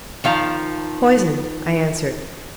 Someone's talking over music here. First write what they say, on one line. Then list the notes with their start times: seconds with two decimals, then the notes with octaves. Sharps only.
'Poisoned,' I answered.
0.24 D#3 F3 F5 A#5